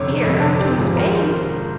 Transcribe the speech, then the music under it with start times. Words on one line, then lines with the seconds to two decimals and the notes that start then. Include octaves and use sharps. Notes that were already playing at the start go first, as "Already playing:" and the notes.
Here are two spades.
Already playing: G1 F2 C3 C#5
0.17 C#5
0.22 G1 F2 C3 D#5
0.40 C#5
0.59 G4
0.78 G#1 G#2 F3 G#4
0.97 A#4
1.16 C5